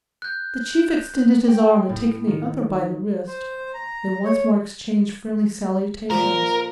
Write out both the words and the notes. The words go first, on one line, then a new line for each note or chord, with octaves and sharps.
The chief extended his arm and taking the other by the wrist, they once more exchanged friendly salutations.
F#6 G6
G5
A2
D#3
C5
A#5
C#5
A#2 F3 A#4